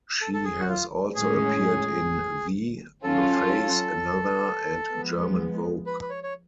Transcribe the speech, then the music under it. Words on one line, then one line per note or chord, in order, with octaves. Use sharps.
She has also appeared in V, The Face, Another, and German Vogue.
A4
A4
G#4
F#4
F4
A2 G#3 C#4 G#4
F#3 C#4 F4 A4
F3 G#3 B3
B4
B4
C#5
C#5